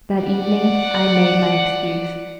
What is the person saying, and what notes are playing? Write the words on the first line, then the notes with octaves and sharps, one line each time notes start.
That evening I made my excuse.
D5 F#5